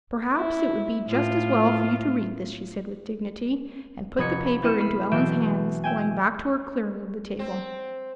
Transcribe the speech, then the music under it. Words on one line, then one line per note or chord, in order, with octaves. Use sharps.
"Perhaps it would be just as well for you to read this," she said with dignity, and put the paper into Ellen's hands, going back to her clearing of the table.
E4
A2 F4
F1 B5 D#6 G#6 C#7
B5
B3 C4 E4 C#7 D#7 E7
B5 F6 B6 C7
B1 E3 C4 E5 G6 D7
E5 G5 G#5
C4